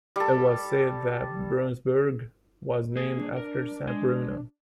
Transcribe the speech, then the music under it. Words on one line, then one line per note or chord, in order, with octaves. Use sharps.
It was said that Braunsberg was named after Saint Bruno.
G3 A4
A#3 G#4
D4
A#4
G#3